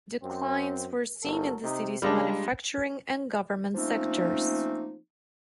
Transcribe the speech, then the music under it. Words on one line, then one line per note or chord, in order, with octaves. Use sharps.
Declines were seen in the city's manufacturing and government sectors.
F#2 C4
G1 F#3 A4 A#4
C3 D#4
A#2 C#3 G3 G#3 D4
F3 A3 A#3 C4 C#4 D#4